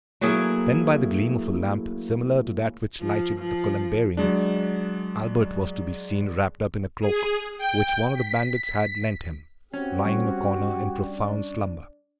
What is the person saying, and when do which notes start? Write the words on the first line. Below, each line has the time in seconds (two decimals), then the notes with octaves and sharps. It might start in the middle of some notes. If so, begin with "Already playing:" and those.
Then, by the gleam of a lamp, similar to that which lighted the columbarium, Albert was to be seen wrapped up in a cloak which one of the bandits had lent him, lying in a corner in profound slumber.
0.21 F#3 A3 A#3 E4 G#4
3.01 F3
3.39 F3
4.17 F#3 G#3 D4
7.01 G#4
7.58 G5
8.14 B6
9.74 C4 C#4 F#4 G4
10.03 G3 C#6
11.01 D4